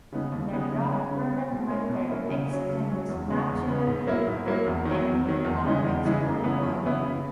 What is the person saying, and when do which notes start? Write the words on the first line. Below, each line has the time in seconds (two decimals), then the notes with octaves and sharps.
The dot product method extends naturally to any convex polygon.
0.12 C#3 G#3 B3 D#4
0.32 D#2
0.51 C#3 G#3 B3 D#4
0.72 C#3
0.92 G#3 C#4
1.11 C#3
1.31 G#3 C#4
1.51 B2
1.70 A#3 C#4 E4
1.90 B2
2.10 A#3 C#4 E4
2.29 C#3
2.49 F#3 C#4
2.69 C#3
2.89 F#3 C#4
3.09 E2
3.28 C#3 G#3 B3
3.48 E2
3.67 C#3 G#3 B3
3.87 G#2
4.07 F#3 A#3 E4
4.27 G#2
4.46 F#3 A#3 E4
4.66 E2
4.85 D#3
4.91 F#3
5.05 E2
5.25 D#3 F#3
5.45 E2
5.65 C#3 E3 G#3 D#4
5.84 E2
6.04 C#3 E3 G#3 D#4
6.24 F#2
6.43 C#3 E3 B3 E4
6.63 F#2
6.83 C#3 E3 B3 E4
7.03 C#3